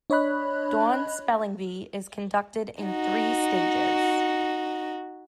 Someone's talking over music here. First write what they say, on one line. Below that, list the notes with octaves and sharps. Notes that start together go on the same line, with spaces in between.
Dawn Spelling Bee is conducted in three stages.
D4 C#5 D#5 B5 F#6
D#4 F#4